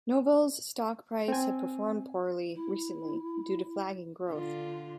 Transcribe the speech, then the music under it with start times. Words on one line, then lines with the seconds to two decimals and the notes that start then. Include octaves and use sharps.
Novell's stock price had performed poorly recently due to flagging growth.
1.28 C4 G#5
2.55 E4
4.30 D3 F4